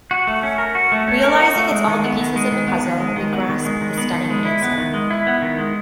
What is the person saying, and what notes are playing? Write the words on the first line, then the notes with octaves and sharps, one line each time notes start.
Realizing it's all the pieces of a puzzle, we grasp the stunning answer.
F#4
A3
C#4
A#4
F#4
A3
C#4
A#4
F#4
A3
G#3
D#3
B3
D#3
G#3
D#3
B3
D#3
G#3
D#3
B3
D#3
G#3
D#3
B3
D#3
G#3
E4
B3
D#3
G#3
E4
B3
D#3
G#3